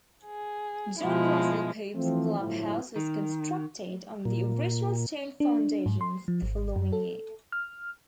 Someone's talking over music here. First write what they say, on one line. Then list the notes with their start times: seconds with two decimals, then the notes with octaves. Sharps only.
John Russell Pope's clubhouse was constructed on the original stone foundations the following year.
0.25 G#4
0.99 B2 F3 G#3 E4
1.95 E3 F3 A3 C4
2.39 G1 A2 F3 F#3 E4
2.96 D#3
4.25 A#2
5.40 D4
5.86 G#2
6.01 C6
6.28 F3
6.42 G#1
6.76 F#2
6.93 A4
7.52 F6